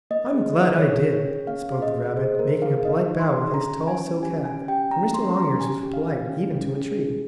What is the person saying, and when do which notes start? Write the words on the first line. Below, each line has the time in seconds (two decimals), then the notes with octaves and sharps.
"I am glad I did," spoke the rabbit, making a polite bow with his tall silk hat, for Mr. Longears was polite, even to a tree.
0.11 A#3 D#5
0.34 G#4
0.57 F4
0.79 G#4 C#5
1.02 G#4
1.14 C#5
1.25 C#4
1.47 A#3 F5
1.71 G#4
1.82 D#5
1.94 A#3
2.17 G#4 C5
2.39 A#3 A#4
2.62 G#4 F5
2.85 D#4 D#5
3.08 D#4
3.20 C6
3.31 G#4
3.53 C#4 A#5
3.77 C#4
3.88 G#5
3.99 C#4
4.23 G4 G#5
4.45 C#4 G#5
4.68 G4 G5
4.91 C#4 A#5
5.14 C#4 C6
5.37 C#4 A#5
5.60 G4 G#5
5.83 G4
5.94 F5
6.05 G4
6.29 C#4
6.52 C#4
6.74 G#4
6.98 G#4